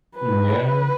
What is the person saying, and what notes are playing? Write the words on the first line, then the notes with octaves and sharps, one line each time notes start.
Mm, yeah.
B4